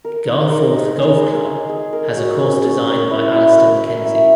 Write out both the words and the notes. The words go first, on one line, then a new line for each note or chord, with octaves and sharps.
Garforth Golf Club has a course designed by Alister MacKenzie.
A#4
D#4
A#4
D#4
G#4
G#3
G#4
G#4
A#4
F#4
C#4
C#4
A#4
E4
E4
A#4
E5
E5